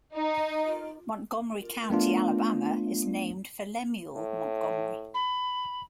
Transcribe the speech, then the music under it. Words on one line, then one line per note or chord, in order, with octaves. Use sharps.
Montgomery County, Alabama, is named for Lemuel Montgomery.
D#4
A3 B3 D4 F4
A2
B5